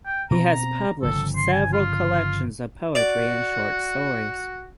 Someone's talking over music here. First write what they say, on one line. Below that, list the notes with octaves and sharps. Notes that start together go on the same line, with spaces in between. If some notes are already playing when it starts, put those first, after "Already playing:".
He has published several collections of poetry and short stories.
G5
B2 C4 A#5
G1 C#3 F3 A4
C6
G#5
F4
F#4 D5